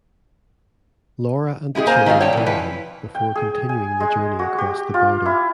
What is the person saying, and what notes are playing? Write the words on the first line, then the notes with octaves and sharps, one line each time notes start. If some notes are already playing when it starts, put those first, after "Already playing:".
Laura and the children bury him before continuing the journey across the border.
G#3 E4 G4 G#4
A#3 A#4 C5 G#5
D#3 A3 C4 F4 F5
C#5 D5 G5 A5
E3 F#3
E3 F3 B4
G5
G#4
G#5
G#3
F#4
G4
F4
E4